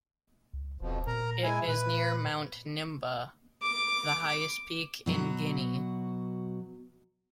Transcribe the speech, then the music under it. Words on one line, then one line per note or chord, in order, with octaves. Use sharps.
It is near Mount Nimba, the highest peak in Guinea.
C#2
D#1 F2 B2 F3
A#2 A#4 A#5
G#3 E4 G#5
A#2 B4
D6
B2 F#3 F#4